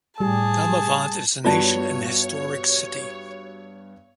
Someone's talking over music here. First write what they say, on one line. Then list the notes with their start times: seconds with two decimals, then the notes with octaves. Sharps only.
Damavand is an ancient and historic city.
0.20 A2 G3 G4 G#4 A5
1.45 G2 B3 F4 F#4 C#5 D5 A5